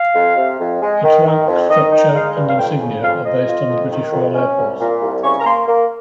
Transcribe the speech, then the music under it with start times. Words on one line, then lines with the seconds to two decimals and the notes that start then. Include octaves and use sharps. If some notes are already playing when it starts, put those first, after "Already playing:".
Its rank structure and insignia are based on the British Royal Air Force.
Already playing: F5
0.15 F2
0.37 C3
0.60 F2
0.82 G#3
1.04 D#3
1.26 D#3
1.47 F2
1.70 D#3 D#5
1.92 D#4
2.14 G#3 F5
2.36 G2
2.49 F5
2.58 F2 G5
2.80 C#3
3.03 F2 F5
3.24 F2 D#5
3.47 F4
3.69 F2
3.91 D#3
4.12 F2
4.35 C#4
4.57 C2
4.79 A#2
5.02 C2
5.23 C#3 C#6
5.40 A#5
5.45 A#3 C6
5.68 A#3